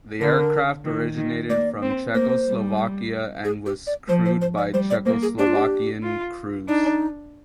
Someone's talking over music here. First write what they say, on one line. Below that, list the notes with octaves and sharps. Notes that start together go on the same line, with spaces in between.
The aircraft originated from Czechoslovakia and was crewed by Czechoslovakian crews.
D3 A#4
D#3
D#3
A#3 D5
C4
A#3 C5
G3
G#4
G4
D5
F3 C5
C5
C5
D5
G3 C5
D5
A#3 C5
G#4
D4 G4
F4
G4
F4
D4 D#4